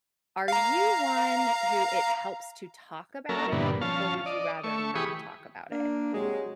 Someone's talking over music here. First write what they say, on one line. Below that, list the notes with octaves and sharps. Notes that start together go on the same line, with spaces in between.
are you one who it helps to talk about it, or would you rather not talk about it?
F5 A#5
F#3 A#3 C#4 A4 A#4 E5
G2 A#2 D3 E3 B3
F3 C#4 F5 A5
D5 D#5
A3 E5 C#6
E3 G4 G#4 B5 C#6 D#6
A#3 D4
C3 F#3 G#3